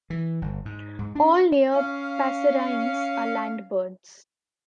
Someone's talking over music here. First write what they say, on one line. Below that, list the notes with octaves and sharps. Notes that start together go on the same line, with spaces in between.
All near passerines are land birds.
E3
G1
G#2
G#2
D4
C#4 F5